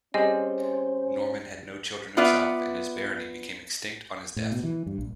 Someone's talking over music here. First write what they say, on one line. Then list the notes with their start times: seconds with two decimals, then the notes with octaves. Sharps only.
Norman had no children himself and his barony became extinct on his death.
0.14 G3 C4 C#4 G#4 C5 D#5
2.17 B3 F4 B4 D5 E5 F#5
4.36 A2
4.52 B2
4.63 E3
4.87 G2
4.98 A#1